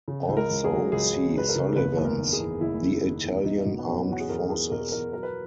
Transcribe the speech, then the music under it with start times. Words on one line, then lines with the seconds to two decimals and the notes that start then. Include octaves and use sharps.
Also see Sullivan's "The Italian Armed Forces".
0.08 C#3
0.28 C#2
0.37 A#4
0.51 C#2
0.64 G#4
0.72 F#3
0.92 C#2 G#4
1.13 F#3
1.35 C#2 B4
1.49 A#4
1.56 C#3
1.76 F#1 B4
1.97 E2
2.05 A#4
2.18 D#3
2.33 G#4
2.40 E2
2.61 F#1 E4
2.82 F#1
3.02 D#3
3.24 E2
3.45 B2 D#4
3.66 B2
3.79 B3
3.88 F#3 C#4
4.08 E2 F#4
4.20 G#4
4.29 E2 A#4
4.50 E2 G#4
4.71 B2 A#4
4.92 E2 A#4
5.13 F#3 A#4
5.23 B4